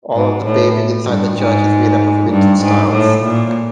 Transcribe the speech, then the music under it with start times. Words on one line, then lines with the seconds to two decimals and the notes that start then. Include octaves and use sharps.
All of the paving inside the church is made up of Mintons tiles.
0.15 G#2
0.45 A2
1.07 G2
1.38 G#2
2.31 G2
2.62 G#2
2.92 A2
3.24 A#2